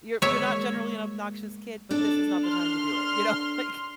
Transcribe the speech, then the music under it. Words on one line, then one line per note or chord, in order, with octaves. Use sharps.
you're you're not generally an obnoxious kid, but, this is not the time to do it," you know, like
G#3 A#3 C#5 E5
D4 A4
C6 F6